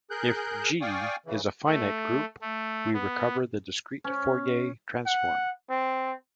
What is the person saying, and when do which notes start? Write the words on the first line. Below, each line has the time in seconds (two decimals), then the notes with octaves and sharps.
If "G" is a finite group, we recover the discrete Fourier transform.
0.10 G#4 A#4 F#6 G6
0.81 D5 F5 G5 G#5 C#6 D#6
1.26 C#3 E3
1.67 A3
2.41 A3
2.94 B3
4.04 C#4
5.06 F#5
5.70 C4